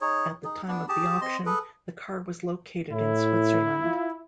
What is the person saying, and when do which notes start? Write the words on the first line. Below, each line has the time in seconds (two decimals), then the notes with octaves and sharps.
At the time of the auction, the car was located in Switzerland.
0.01 D#4 G#4 C#5
0.44 D#4 G#4
0.68 B3 D4
0.89 G4 G#4 A5
1.21 C4 D#5 C6
1.46 G#4 A4 B4
2.92 A2 E4
3.83 F4